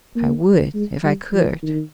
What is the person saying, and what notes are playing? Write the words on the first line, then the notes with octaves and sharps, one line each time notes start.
"I would if I could!"
A#3
G#3
G3
F3
D#3